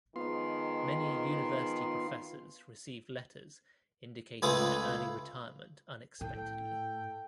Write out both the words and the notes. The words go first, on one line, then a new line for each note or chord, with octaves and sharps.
Many University professors received letters indicating their early retirement unexpectedly.
D#3 F3 G#3 B3 F4 C6
C#2 A3 F4 G#4 B4 D#6
A2 A4 G5